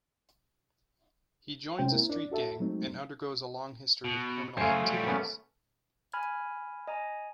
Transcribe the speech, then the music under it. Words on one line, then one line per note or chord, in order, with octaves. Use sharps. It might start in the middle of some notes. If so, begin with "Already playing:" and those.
He joins a street gang, and undergoes a long history of criminal activities.
C3 G#3 C#4 C5 G5
A#3 C4 E4 A#4
D4 D5
F#4 A4 E5 A5
F#3 G#3 A3 C4 D#4
B2
F#2 C#3 A3 C5 F5 G#5
F#3 G3
A#3 B3 C#4
G#5 B5 F6 G#6
D#5 G#5 A#5